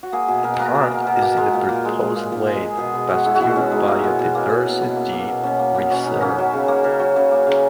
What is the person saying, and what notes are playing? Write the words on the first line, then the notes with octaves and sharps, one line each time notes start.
Part is in the proposed Lake Pasteur Biodiversity Reserve.
F#4
A#3 G#4
B2 G#4
B2 A#4
A#4
A#3 B4
A#3 A#4
B2
B2
A#3
G#3
A#2
A#2
G#3
G#3
A#2
A#2
G#3
G#3 G#4
B2 G#4
B2
G#3 F#4
G#3 E4
F#4
B2 E4
B2 C#4
G#3 D#4
A#3 E4
B2
B2
A#3
A#3
B2
B2
A#3
A#3
B2
B2 C#4
A#3
A#3 B3
B2 C#4
B2 D#4
A#3 C#4
F#3
C#3
A#3
C#3
F#3
C#3
A#3
C#3